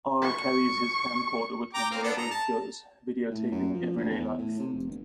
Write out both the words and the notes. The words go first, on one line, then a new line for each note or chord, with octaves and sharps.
R carries his camcorder with him wherever he goes, videotaping everyday life.
C#6
G5 A#5 D6
A#3 C4
B3 D4 A4
A#5
A5
A2
F#2
F3
D2
E2
A2
C3
F1
G1